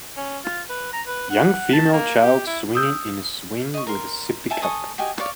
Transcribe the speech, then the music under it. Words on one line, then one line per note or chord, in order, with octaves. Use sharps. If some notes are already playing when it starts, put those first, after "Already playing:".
Young female child swinging in a swing with a sippy cup.
C#4
F4
B4
A#5
B4
F#5
A5
A#3
G4
E4
D#6 E6 G6 D7
D#5 C#6
A#4 C6
E5 G#5 A5
A4 G#5 C#6 D#6
F#4 G4 D#5 G#5
B4 C#5 D5 F5